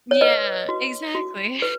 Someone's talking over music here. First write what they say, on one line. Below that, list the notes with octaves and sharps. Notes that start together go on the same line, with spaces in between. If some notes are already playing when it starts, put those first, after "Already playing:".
Yeah, exactly.
C#5
B4 D#5
F#4
F#4
B4